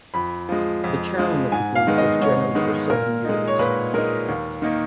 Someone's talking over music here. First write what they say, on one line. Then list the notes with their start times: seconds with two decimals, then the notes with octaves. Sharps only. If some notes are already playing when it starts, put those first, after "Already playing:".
The chairman of the group was jailed for seven years.
0.14 F2 B5
0.49 F3 G#3
0.84 F2
1.18 F3 G#3
1.52 G#2 G#5
1.75 F5
1.87 D#3 G#3 B3
1.98 D#5
2.21 G#2 C#5
2.55 D#3 G#3 B3
2.90 A#2 A#4
3.25 G#3 D#4
3.48 C#5
3.59 A#2 B4
3.94 G#3 D#4 A#4
4.28 D#2
4.62 D#3 A#3 D#4